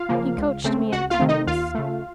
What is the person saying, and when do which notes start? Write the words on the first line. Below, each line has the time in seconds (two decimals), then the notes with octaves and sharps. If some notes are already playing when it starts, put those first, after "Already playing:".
"He coached me in ethics."
Already playing: F4 F5
0.09 C#3 F3 A#3
0.37 C#2
0.64 C#3 A3 C4
0.92 C#2 F#4 F#5
1.10 F4 F5
1.20 C3 D#3 A3 C4
1.29 D#4 D#5
1.47 D#2 F4 F5
1.75 C#3 A3